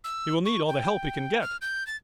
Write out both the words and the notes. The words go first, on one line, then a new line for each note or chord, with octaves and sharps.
He will need all the help he can get!
E6
C#6
G5
F6
G6
A6